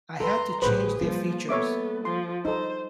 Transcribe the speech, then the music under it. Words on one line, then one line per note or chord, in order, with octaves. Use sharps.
I had to change their features.
F#2 A4 B4 A#5 C6
A1 A2 G4 G#4 B4 C5
F3 G3 A#3
B3 A4 C#5 E5 D6
F3 C6
G3 D#4 A4 C5